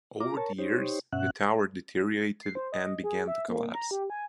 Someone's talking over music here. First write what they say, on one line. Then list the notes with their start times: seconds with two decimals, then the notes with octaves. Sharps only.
Over the years, the tower deteriorated and began to collapse.
0.20 F4 A#5 D6
0.37 A#4 C#5 A5
0.58 D#4 G4 C5 C#5
1.12 G2 B2 C#4 E5 F#5 F#6
2.42 C7
2.55 C5
2.72 D#5
3.04 G#4
3.28 E5
3.48 A#3
3.74 A#5
3.91 G4
4.10 G#5